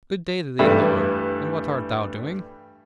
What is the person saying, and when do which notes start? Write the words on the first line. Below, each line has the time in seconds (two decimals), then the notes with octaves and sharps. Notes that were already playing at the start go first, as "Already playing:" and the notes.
'Good-day to thee, lord; and what art thou doing?'
0.59 G2 E3 G3 A3 E4